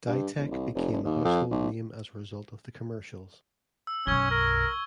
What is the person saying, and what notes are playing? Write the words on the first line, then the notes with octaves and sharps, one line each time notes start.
DiTech became a household name as a result of the commercials.
G2
E1
C2
F1
F#1
D#2
F2
B1
E6
B1 F#2 C#4 C#6 G#6 G7
A#4